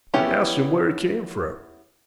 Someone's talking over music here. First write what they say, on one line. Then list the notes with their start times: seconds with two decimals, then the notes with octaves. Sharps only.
They asked him where he came from.
0.14 B3 C#4 E4 G4